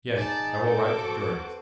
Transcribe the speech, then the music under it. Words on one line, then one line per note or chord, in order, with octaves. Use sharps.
"Yes, I will write to Durrance."
D#4 G#4 D5 A5 A#5
C4 A4 D6
F#4 B4